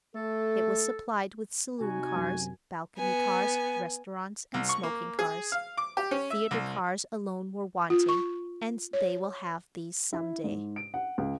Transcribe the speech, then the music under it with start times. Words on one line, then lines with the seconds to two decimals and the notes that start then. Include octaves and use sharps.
It was supplied with saloon cars, balcony cars, restaurants, and smoking-cars; theatre cars alone were wanting, and they will have these some day.
0.15 A3 A4
1.81 C3 D#4 F#4 G#5
2.16 F#2
2.97 B3 G#5
4.54 C2
4.69 C#6
4.83 A#3
5.19 G#4
5.52 F5
5.77 D6
5.97 G4
6.11 C#4
6.30 E5
6.51 C2
7.90 F4
8.09 C#6
8.93 C#5
10.13 E4
10.44 G#2
10.76 D7
10.94 F#5
11.18 C#2